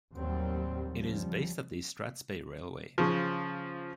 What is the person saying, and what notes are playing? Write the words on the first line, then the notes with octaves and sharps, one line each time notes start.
It is based at the Strathspey Railway.
D#2 A2 F#3 G3 C4
C#3 F3 G3
C#3 F3